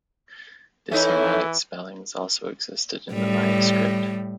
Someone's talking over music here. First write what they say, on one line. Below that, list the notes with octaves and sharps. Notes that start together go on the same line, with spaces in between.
Disharmonic spellings also existed in the Maya Script.
E3 C#4 D#4 E4 A4 C#5 E5
A2 G3